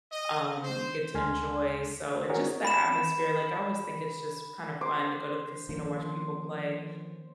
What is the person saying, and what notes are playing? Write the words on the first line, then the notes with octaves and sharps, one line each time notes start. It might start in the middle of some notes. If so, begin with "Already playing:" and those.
um, you get to enjoy, so and just the atmosphere, like I always think it's just kind of fun to go to the casino, watch people play
D#5
C5
D2 G#3 A4 G#5 C6 F6
F#4 G#4 A#4 C#5
B5 E7
C5 D6
D#3 F3 A#3 C#4 D4